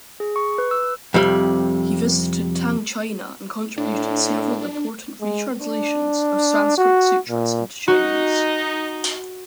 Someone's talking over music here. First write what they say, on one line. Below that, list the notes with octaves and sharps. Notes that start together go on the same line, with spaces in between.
He visited Tang China and contributed several important retranslations of Sanskrit sutras into Chinese.
G#4
C#6
B4
E6
F2 C3 G3
A2 D4
G#3
D4
F#4
A#2
D#4 F#4